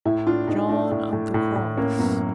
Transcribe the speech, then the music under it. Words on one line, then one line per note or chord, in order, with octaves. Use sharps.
John of the Cross.
A2 E4
D4 F4
A2 D#4
A3 D4
A2
A2
A2
A2
A#3 C#4
F#2 B3